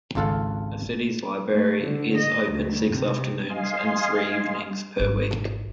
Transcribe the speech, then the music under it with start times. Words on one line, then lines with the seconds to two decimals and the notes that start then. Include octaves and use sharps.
The city's library is open six afternoons and three evenings per week.
0.15 G#1 C#2 F4 A4 F5 F#5
1.51 A3
1.83 D3
2.17 D#5
2.52 D2
2.93 C3
3.50 D#5 F5 G#5 C6
4.99 G#1 F4